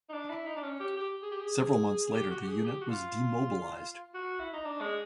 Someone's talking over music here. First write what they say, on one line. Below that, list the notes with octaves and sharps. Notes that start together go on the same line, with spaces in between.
Several months later the unit was demobilized.
D#4
D4
E4
D#4
D4
C#4
G4
G4
G#4
G4
G#4
G#4
G4
F#4
G4
G#4
G4
F#4
F4
F#4
E4
D#4
D4
G#3